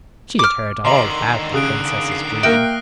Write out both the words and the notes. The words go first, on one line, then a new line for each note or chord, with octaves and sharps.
She had heard all about the Princess's dream.
D6 F6
D3 D#3 D#5 A#5 C6 C7 F#7
C#3 D#6 F#6 D7
C7
A#3 F#4 A#4 E5 G5 F6 F#6 A#6